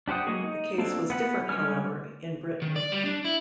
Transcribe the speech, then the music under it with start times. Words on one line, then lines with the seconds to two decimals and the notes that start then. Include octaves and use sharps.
The case was different, however, in Britain.
0.08 D4 G4 C5 F#5 D#6
0.27 F#3 G#3 A#3 F#4 G#4
0.44 D#4
0.78 A#3 C4 D4 A4
1.10 B3 F#5 B5
1.49 D3 G3 G#3 C#4 F6
2.62 D#3
2.76 D5
2.92 G3
3.06 D4
3.25 E4